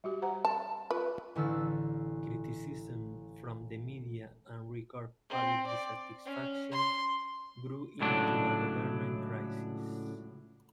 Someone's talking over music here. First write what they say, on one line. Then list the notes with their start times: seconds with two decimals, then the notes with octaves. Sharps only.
Criticism from the media and record public dissatisfaction grew into a government crisis.
0.04 G3 F#4 G4
0.22 C5 F#5 A#5
0.45 A5
0.91 F4 B4
1.35 A1 D3 E4 E6 F6 A6
5.30 C4
5.66 D5
6.25 C#4
6.72 C6
8.00 C#2 A2 F#3 D4